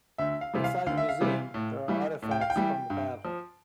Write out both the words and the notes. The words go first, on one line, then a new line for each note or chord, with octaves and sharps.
Inside the museum there are artifacts from the battle.
D2 E5
F5
C3 E3 G3
F5
D2 F5
E5
F5
C3 E3 G3
A2
E3 G3
A2
G5
F5
G5
E3 G3
G2
F3